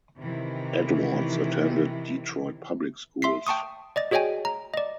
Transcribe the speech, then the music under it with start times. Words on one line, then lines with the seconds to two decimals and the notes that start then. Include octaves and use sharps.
Edwards attended Detroit public schools.
0.18 C3 D#3 E3
3.22 E5 C6 B6 C7
3.47 G5 A5 C#6 D#6
3.96 D5 D#5 A6
4.11 F#4 G#4 C#5 D#5 G5 G#5
4.45 A#5
4.74 D5 D#5